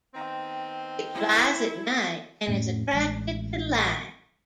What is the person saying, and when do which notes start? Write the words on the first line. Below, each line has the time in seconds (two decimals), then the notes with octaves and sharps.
It flies at night and is attracted to light.
0.14 D#3 B3 C4
1.14 E4
2.48 F2 A2 A3 C#4
2.93 A1 G#3